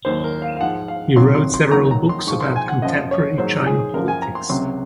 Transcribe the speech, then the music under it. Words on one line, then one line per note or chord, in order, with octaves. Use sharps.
He wrote several books about contemporary China politics.
D#2 D#3 F#3 C5
A#4
F5
F5
G#2 F3 F#5
F5
F2 C3 D#3 F#3 C6
C6
C6
D#2 D#3 F#3 A#5
A#5
C6
G#2 F3 C#6
C6
G#5
F#5
F#2 F3 D#5
C#5
G#2 D#3 F#3 C5
G#4
F#2 F3 A#4
G#5
A#5
C6
C#2 C3 F#3 C6